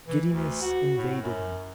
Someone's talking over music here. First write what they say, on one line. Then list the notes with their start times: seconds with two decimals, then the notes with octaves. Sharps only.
Giddiness invaded him.
0.07 E3
0.29 D2
0.62 F#4
0.97 A2
1.22 F#2